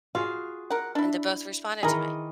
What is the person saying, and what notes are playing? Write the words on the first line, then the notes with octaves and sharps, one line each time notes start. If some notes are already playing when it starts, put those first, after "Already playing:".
and they both responded to me
F4 F#4 G#4 F5
A#4 F#5
D4 E4
D#3 E3 G#4 A#4 D#5